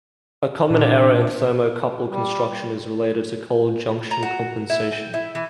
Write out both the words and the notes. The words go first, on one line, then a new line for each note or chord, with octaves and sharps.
A common error in thermocouple construction is related to cold junction compensation.
A#2 D4
G3
A#5
F#4
E4
G5
E4
E3